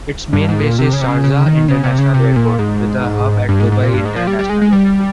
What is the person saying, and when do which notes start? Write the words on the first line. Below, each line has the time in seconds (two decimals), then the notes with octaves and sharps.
Its main base is Sharjah International Airport, with a hub at Dubai International Airport.
0.33 G2
0.49 G#2
0.63 A#2
0.79 C3
0.93 C#3
1.01 C3
1.08 C#3
1.24 C#3
1.46 D#3
1.68 C#3
1.84 C3
1.98 C#3
2.14 C3
2.36 A#2
2.59 G#2
3.49 G2
3.60 G#2
3.72 G#2
3.83 A#2
3.94 G2
4.05 G#2
4.16 F3
4.27 G3
4.39 G3
4.49 G#3
4.61 G#3
4.72 G3